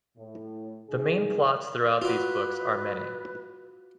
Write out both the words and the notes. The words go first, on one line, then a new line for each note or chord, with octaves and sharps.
The main plots throughout these books are many.
A2
F#2 C3 D#4 G#4
F4 F#4 B4 D5